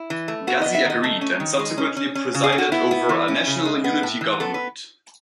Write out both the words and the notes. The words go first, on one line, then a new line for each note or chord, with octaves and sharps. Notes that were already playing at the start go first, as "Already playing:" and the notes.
Ghazzi agreed and subsequently presided over a national unity government.
Already playing: E4
E3
A3
B3 F#4
B3 D#5
E5
D#3 D#5
A3
C#4
D#3
G#3
C#4
C#4
C#4
C#3
G#4
C#4
F#4
B3 E4
B3
E3
C#4
C#3
G#3
B3
A2
E3
B3 A4
B4